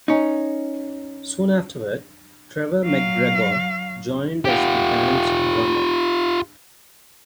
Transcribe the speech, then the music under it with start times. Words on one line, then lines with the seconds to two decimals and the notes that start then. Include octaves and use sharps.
Soon afterward, Trevor MacGregor joined as the band's drummer.
0.08 C#4 D#4
2.84 F#3 F5
4.45 F4 G4